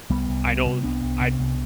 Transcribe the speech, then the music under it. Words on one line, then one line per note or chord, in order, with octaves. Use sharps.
I know, I
C2 G3 B3
C2
C3
C3
C2 B3 D4
C2
C3
C2